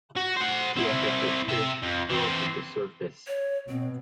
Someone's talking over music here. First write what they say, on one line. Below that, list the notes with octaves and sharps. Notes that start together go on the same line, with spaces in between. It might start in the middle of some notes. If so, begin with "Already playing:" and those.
The affected fish float to the surface.
F#4
C5 F#5
C4 E4
C3 E5
F2
E3 C4
C#5
B2 C4